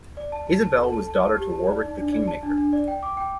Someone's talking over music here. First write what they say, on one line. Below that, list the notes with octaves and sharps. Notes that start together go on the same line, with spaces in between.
Isabel was daughter to Warwick the Kingmaker.
D5
A5
A5
A5
A4
A5
A5
A5
G4
A5
D5
D#4
D4
D5
A5
D4
D4
D5
G5
D6
G5